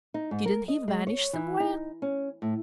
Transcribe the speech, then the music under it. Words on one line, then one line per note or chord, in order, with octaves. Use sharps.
"Didn't he vanish somewhere?"
D#4
G#2
A#4
D#5
G#3
C#5
E3
D#4
C#4
A2